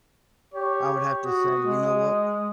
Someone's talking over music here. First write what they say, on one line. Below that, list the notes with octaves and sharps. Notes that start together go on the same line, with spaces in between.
I would have to say, "You know what?
G4 C#5
F#4 D#6
G#3